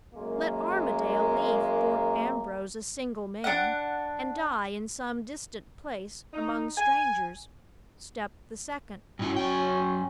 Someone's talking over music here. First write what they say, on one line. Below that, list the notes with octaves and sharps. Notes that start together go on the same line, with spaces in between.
Let Armadale leave Thorpe Ambrose a single man, and die in some distant place among strangers--step the second!
F#2 G#3 A#3
D4 F#5
D#4
G#5
G2 C#4 E4 F#4 G#5
F#2 G5